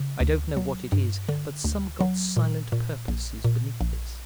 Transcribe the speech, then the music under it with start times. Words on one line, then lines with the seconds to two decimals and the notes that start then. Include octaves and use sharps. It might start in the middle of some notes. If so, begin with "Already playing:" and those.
I don't know what it is, but some god's silent purpose is beneath this.
Already playing: C#3
0.20 D2
0.57 F#3
0.92 G2
1.29 D3
1.64 D2
2.01 F#3
2.37 A#2
2.72 A#2
3.08 A#1
3.44 A#2
3.81 A#1